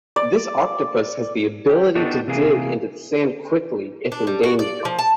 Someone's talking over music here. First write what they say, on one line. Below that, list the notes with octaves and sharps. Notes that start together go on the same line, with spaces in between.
This octopus has the ability to dig into the sand quickly if in danger.
D5
G4
B3 D4 D#4 F#4 G4 A4
C3 E3 A#3 G#4
D4
G3
F#4
D5
F3
A5